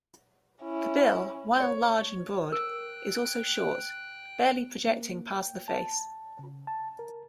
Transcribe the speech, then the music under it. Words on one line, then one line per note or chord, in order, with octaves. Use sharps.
The bill, while large and broad, is also short, barely projecting past the face.
C#4 E4
C#5
A#4 G5 F#6
A#3
G5
A5
C#3
A5
A#4